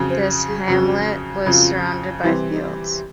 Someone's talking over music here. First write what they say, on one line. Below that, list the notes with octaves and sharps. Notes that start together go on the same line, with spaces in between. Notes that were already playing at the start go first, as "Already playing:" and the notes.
This hamlet was surrounded by fields.
Already playing: F2 C#3 F#3
C5
G#4
F2 C#3 F#3 F#4
F2 C#3 F#3 F4
C3 E3 G3 C4 E4
D#4